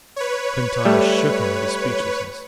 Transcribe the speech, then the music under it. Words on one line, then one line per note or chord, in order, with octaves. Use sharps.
Quintana shook him into speechlessness.
B4 C#5
G3 A3